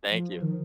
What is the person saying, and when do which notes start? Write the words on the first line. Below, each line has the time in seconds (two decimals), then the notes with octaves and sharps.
Thank you.
0.11 F3
0.42 D#3